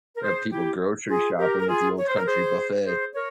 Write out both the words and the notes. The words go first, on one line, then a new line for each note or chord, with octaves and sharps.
You have people grocery shopping at the Old Country Buffet.
A#4
G#4 C5
E4 G4
F4 G#4
G4 A#4
A#4
F4 G#4
C#5
C5
A#4
G#4 C5
G#4 C5
A#4 C#5